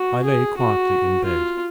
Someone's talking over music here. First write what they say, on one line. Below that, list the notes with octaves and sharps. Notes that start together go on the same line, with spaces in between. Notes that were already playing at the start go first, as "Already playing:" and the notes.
I lay quietly in bed.
Already playing: F#4
G#4
F#4
F4